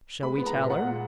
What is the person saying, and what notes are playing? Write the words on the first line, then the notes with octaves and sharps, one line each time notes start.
"Shall we tell her?"
G#3 B5
B3
A#5
A#2
A#2 F#5
G#3